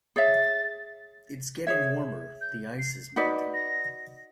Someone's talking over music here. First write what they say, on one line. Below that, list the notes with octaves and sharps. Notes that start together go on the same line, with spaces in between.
It's getting warmer; the ice is melting.
G#4 C#5 E5 A6
G#4 C#5 E5 G#6
G6
C7
D#4 F#4 B4 D5 B6
A#6